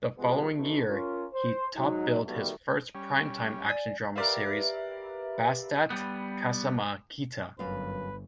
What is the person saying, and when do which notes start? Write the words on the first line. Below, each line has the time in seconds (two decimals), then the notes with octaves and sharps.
The following year, he topbilled his first primetime action-drama series, Basta't Kasama Kita.
0.18 C#3 F3 G3 G#3 B3
0.54 F#2 B2 D3 A3 D#4
0.88 C#4 F4 A#4
1.33 C5
1.76 G#2 F#3 D#4
2.26 D3 D#3 F#3 G3 A3 B3
2.95 G3 C#4
3.69 D5 G#5
4.16 G4 A#4 B4 D5 E5 F5
5.90 G3 B3
7.59 G1 F#2 B4 F5